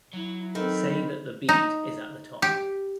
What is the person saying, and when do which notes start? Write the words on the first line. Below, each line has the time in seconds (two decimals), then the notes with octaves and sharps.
Say that the bead is at the top.
0.13 F#3 E4
0.55 D#3 C4 A4 B5
1.49 D#4
2.42 G4